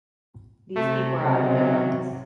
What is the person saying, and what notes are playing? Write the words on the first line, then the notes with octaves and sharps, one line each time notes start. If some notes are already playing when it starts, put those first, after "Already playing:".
These people are out of their minds.
C3 A3
C#3 F#3 D#5